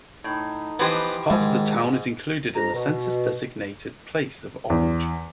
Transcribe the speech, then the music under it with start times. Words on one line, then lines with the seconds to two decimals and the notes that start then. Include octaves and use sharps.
Part of the town is included in the census-designated place of Orange.
0.24 A2 D#4
0.79 E3 F3 B3 G4 C5 D#5
1.31 G#2 D#3 G#3
2.55 F2 A#5
2.74 B2
4.70 E2